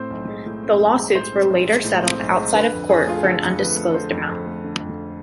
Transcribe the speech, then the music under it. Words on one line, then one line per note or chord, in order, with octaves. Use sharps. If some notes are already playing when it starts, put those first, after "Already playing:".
The lawsuits were later settled outside of court for an undisclosed amount.
Already playing: A2 C4 C5
B1
G#3
A2
C4
B1
G#3
A2 C5
C4
B1
G#3
A2
C4
B1
G#3
D3 B4
F2
F2 G#4
A3 F4
G#4
D3 A4
F2
F2 B4
A3
D3 C5
F2
F2
A3
D3
F2